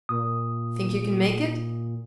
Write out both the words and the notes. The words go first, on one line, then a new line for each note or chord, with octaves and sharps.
"Think you can make it?"
A#2 D#6